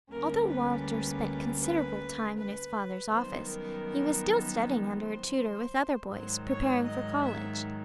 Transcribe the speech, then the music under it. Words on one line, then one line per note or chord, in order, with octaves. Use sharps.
Although Walter spent considerable time in his father's office, he was still studying under a tutor with other boys, preparing for college.
D2 D3 G3 A#3 C#4 A#4
B4
B4
B4
F#2 D#3 G3 B3 C5
A#4
C5
G#2 D#3 F#3 C5
C#5
D#5
E5